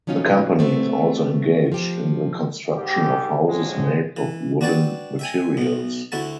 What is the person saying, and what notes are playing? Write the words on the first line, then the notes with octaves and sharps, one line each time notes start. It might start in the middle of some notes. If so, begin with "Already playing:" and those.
The company is also engaged in the construction of houses made of wooden materials.
F3 F#3 C#4 D#4 F4
A3 B3 C4
F3 G4
G#2 G4
A1 D2 A2 F3 G#3
E3
D4 F#4 B4 D5 G5 A5
E5 G5 G#5
B1 B2
D2 A3 E4 F#4 A5